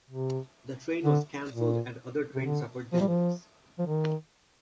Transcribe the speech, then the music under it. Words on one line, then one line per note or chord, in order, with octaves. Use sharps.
The train was cancelled and other trains suffered delays.
C3
D3
A#2
C3
D3
F3
G3
F3
F3
D#3